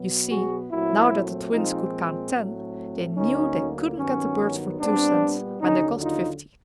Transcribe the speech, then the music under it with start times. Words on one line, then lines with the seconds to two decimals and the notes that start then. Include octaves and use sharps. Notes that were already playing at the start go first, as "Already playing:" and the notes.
You see, now that the Twins could count ten, they knew they couldn't get the birds for two cents when they cost fifty.
Already playing: B2 F#3 B3
0.29 F#4 G#4
0.71 A#2 F#3 A3 C4 E4 F#4
1.52 A#2 F3 G#3 C4 D#4 F4
2.34 A2 F#3 A3 C4
3.15 D2 D3 F#3 A#3 C#4 D#4
3.97 G2 D#3 F#3 B3 C#4
4.79 A#2 G3 B3 C4 D4
5.61 D#2 D3 F#3 C#4 D#4
6.02 D#4 F4